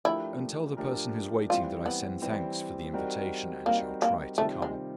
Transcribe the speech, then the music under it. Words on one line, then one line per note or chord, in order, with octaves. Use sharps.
"And tell the person who is waiting that I send thanks for the invitation, and shall try to come."
F3 A3 D4 E4 G4 A#4
F3 A3 D4 G4 A#4
E3 G3 C4 F4
B3
E3 G3 C4
G3 C4 D#4 F#4 A#4
G3 A#3 C4 D#4 F#4 A#4
A#3
C3 D#3 G3 A3 C4 F4
G#3